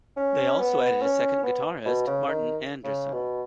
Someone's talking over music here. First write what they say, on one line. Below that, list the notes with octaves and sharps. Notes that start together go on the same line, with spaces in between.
They also added a second guitarist, Martin Andersson.
C#4
B3
C#4
B3
B2
C#3
D#3
C#3
B2